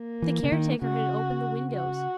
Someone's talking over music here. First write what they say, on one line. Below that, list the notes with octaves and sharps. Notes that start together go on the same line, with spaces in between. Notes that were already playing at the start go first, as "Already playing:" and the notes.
The caretaker had opened the windows.
Already playing: A#3
E3
C#3
D#3
C#3 F#4
F#4